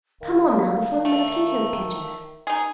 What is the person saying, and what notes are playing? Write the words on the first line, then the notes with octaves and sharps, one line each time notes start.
Come on, now, before the mosquitoes catch us!
D#3 F5
A3
D#4 G#4